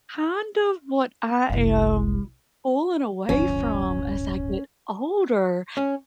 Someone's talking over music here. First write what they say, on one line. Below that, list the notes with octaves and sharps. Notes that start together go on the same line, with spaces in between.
kind of what I am pulling away from as I get older
F#1 C2
D1 G1 F3 C#4
C#4